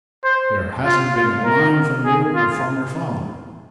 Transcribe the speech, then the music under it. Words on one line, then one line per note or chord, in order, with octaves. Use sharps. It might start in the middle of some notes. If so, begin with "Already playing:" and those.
There hasn't been a line from you or from your father.
C5
F4
F4
A#4
G#4
F4